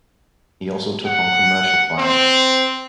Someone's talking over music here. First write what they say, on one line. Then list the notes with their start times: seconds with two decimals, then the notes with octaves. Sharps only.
He also took on commercial clients.
1.06 F#5
1.98 C4